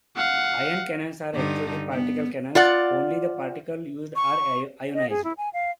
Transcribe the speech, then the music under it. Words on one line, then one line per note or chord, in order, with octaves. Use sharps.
Ion cannons are actually particle cannons; only the particles used are ionized.
F5 F#5
G2 D3 D#4
B3
F4 D5 F#5
C#6
D#5
G#4
E4
G#5
F5